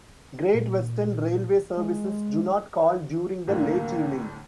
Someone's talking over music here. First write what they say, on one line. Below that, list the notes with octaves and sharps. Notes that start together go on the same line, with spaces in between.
Great Western Railway services do not call during the late evening.
A#2
G#3
C2 A2 D3 A#3